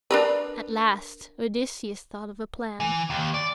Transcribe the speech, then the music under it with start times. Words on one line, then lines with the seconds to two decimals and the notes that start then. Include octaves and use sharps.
At last Odysseus thought of a plan.
0.11 D4 A#4 B4
2.80 E3
3.10 D#2
3.34 D5